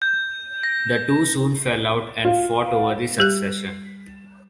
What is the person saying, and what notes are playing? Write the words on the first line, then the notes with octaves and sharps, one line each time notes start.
The two soon fell out and fought over the succession.
G6
A#6
F4
G3 G4 F#6